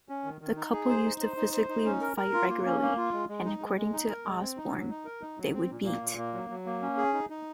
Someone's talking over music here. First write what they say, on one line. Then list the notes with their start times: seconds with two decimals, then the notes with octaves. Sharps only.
The couple used to physically fight regularly and, according to Osbourne, they would beat.
0.09 C#4
0.24 D#3
0.41 D#3
0.57 D#4
0.73 G#4
0.89 C5
1.04 D#4
1.21 C5
1.37 D#4
1.53 C5
1.69 D#4
1.85 C#4
2.01 A#4
2.17 A#4
2.33 F4
2.49 A#3
2.65 C#4
2.82 A#3
2.97 F4
3.13 G#3
3.29 G#3
3.45 D#4
3.61 G#3
3.77 G#3
3.93 D#4
4.09 A#4
4.26 G#3
4.41 C4
4.57 D#4
4.73 F#3
4.90 D#4
5.05 A#4
5.22 D#4
5.38 F#3
5.53 C4
5.70 A#2
5.85 A#3
6.01 A#2
6.18 A#3
6.34 F#3
6.50 F#3
6.66 A#3
6.82 C#4
6.97 G#4
7.14 D#4
7.30 D#4